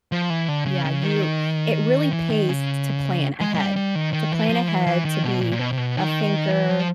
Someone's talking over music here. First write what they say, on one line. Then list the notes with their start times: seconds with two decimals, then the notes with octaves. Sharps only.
Yeah, you it really pays t t to plan ahead. To plan ahead, to be a thinker,
0.12 F3
0.30 E3
0.48 D3
0.66 C#3
0.85 C#3
1.03 D#3
2.13 E3
2.30 D#3
2.49 C#3
3.41 G#3
3.55 G#3
3.58 G3
3.76 G3
3.95 D#3
4.13 D#3
4.32 E3
4.49 F3
4.68 E3
4.87 E3
5.05 D#3
5.23 B2
5.41 A#2
5.52 A#2
5.59 B2
5.72 C3
5.78 B2
5.96 D#3
6.51 E3
6.70 F3